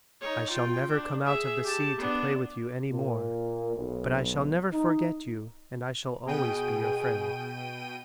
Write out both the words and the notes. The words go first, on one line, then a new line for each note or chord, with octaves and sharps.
I shall never come out of the sea to play with you any more, but I shall never forget you and I shall always be your friend.
D#4 C#5
F4 G5
D4
G#4 E5
G4 A5
B3 D4
A#2
B1
D#4
B2 G#4 G5 D#7